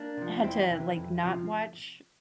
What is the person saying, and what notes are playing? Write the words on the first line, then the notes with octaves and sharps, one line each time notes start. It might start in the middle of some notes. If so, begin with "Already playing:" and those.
Had to, like, not watch
Already playing: A#3 D4
C3 F3
E2 C4 E4
C3 E3
F2
C3 F3